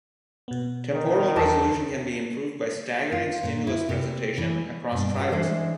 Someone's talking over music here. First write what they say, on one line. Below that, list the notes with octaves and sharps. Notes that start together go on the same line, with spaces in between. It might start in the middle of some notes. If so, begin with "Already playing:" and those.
Temporal resolution can be improved by staggering stimulus presentation across trials.
B2 B3
D#3
E2 A#4 A5
F4
A#2
E4
C3
E3
G2 B2
C#4 F4 F#4
E3 G#3 D4 E4 C5